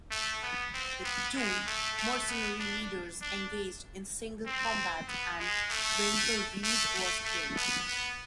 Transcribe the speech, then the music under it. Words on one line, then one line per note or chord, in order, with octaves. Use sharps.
The two mercenary leaders engaged in single combat, and Winkelried was killed.
A3
B3
C4
B3
G#3
A3
A3
B3
D4
D4
C4
B3
G#3
A3
A3
A3
A3
B3
B3